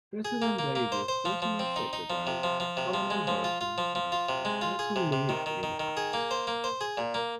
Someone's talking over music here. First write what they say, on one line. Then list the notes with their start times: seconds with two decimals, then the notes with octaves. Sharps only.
President Davis' personal secretary, Colonel Burton Harrison, also lived in the house.
0.25 G#4
0.42 A#3
0.59 A#3
0.75 A#3
0.92 C5
1.08 C5
1.25 F3
1.42 F3
1.59 C4
1.76 D#4
1.93 D#4
2.10 F3
2.27 C3
2.43 F3
2.60 F3
2.77 C3
2.94 F3
3.10 G#3
3.27 F3
3.44 F4
3.61 F4
3.78 F3
3.95 F3
4.12 F4
4.29 C3
4.45 G#3
4.61 F4
4.79 G#4
4.96 C3
5.12 C3
5.29 D#3
5.46 D#3
5.63 D#3
5.80 D#3
5.97 G#4
6.13 A#3
6.31 C5
6.47 A#3
6.64 C5
6.81 G#4
6.97 A#2
7.14 A#3